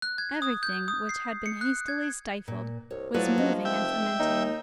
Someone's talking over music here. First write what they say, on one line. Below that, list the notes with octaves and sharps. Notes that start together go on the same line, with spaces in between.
Everything which had been hastily stifled was moving and fermenting.
F#6
G#6
D#6
G6
D#6
C7
C#7
F#6
G#6
A#2
C2 C#5
A2 F3 F#3 A4 B4 D5
A#1 D#5
F1 E5 G5
D#2 D#4